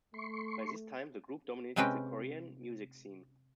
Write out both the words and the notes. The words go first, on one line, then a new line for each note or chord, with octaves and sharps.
By this time, the group dominated the Korean music scene.
A3 C6 C#6
C3 G#3 C4 C#4 B4 G5